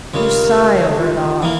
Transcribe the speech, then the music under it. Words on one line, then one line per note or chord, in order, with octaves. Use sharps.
'You sigh over it all.
C#2 C#3 G3 A#4
C#5
A4
F4
E3 A#3 E4